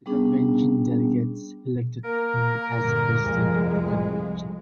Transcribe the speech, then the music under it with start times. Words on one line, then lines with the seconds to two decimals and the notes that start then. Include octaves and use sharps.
The convention delegates elected him as the President of the Convention.
0.06 G3 B3 C#4 D4 G#4
2.05 A#3 A#4
2.78 G2 A#2 D3
3.21 C2 F2 G#3